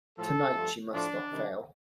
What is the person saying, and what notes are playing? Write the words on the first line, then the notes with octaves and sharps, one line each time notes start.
Tonight she must not fail.
A2 F3 A3 A4
G2 F3 A3
A2 F3 A3 D4
C3 D#3 G3